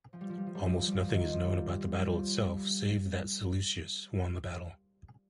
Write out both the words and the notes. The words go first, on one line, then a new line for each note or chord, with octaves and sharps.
Almost nothing is known about the battle itself save that Seleucus won the battle.
F3
G3
F3
G3
F3
G3
F3
G3
F3
G3
F3
D#3
D#3
F3
G3
F3
G3